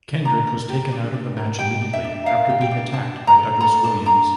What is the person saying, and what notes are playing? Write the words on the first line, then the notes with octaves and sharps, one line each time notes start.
Kendrick was taken out of the match immediately, after being attacked by Douglas Williams.
D4 A#5
A#4
G4
D4
D4
A#4
G4 G5
D4
E5
D4
A#4 F5
G4
G5
D4
D4 A5
D4
A#5
A4
A4 A#5
D4 A5
D4 A#5